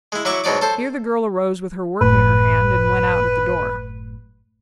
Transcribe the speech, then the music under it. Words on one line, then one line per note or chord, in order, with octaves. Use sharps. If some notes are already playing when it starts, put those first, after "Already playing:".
Here the girl arose with her work in her hand, and went out at the door.
G#3 E4
F#3 E4 E5 C#6 D6
G#2 B2 F#3 D5 D6
A4 C5
G1 F#2 A2 B4